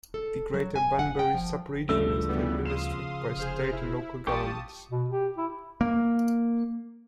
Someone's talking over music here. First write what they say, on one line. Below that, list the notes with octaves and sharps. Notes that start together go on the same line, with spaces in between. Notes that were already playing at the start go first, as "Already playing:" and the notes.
The Greater Bunbury sub-region is administered by State and local governments.
A4
F#3
G#5
F#5
G5
F3
D2 G2 C#3 F3 A3 E6
E3 G3 B3
F5 C6 D#6 E7
F1 G#4 C5 F6
E4
A1 G3 F4 G4 A5 C#6 D#6
B2
G4
E4
A#3